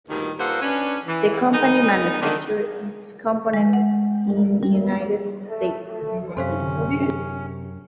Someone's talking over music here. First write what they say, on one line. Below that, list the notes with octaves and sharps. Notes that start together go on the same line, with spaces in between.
The company manufactures its components in the United States.
D2 G2 A#2 D#3
G2 A#3 F4 A4 C5 F#5
C#4 D4 B4
E3
D#3 G#3 B3 D#4
D3 D#3
G#4
G#3
F#5
G3
A3
A3
F#2 C3 C#4 A4 C5 F5 C6